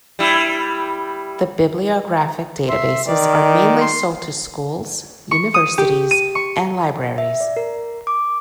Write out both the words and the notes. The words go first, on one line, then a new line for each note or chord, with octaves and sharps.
The bibliographic databases are mainly sold to schools, universities and libraries.
G3 E4
E5 C6
D#3 D5
C6
C#6
D#6
G4
D#7
C#6
E5
D5
A#4
D6